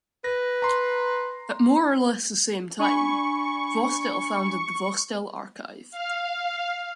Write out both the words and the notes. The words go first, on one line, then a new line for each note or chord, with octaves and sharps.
At more or less the same time, Vostell founded the Vostell Archive.
B4 A#6
A#5 C6
D4 G#5 B5 C#6
F5